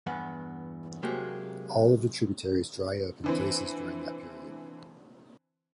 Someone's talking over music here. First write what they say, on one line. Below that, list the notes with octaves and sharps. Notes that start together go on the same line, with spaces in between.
All of the tributaries dry up in places during that period.
E2 G2 B3 F#5
C3 F#3 G#3 A#3 G4
D3 E3 C4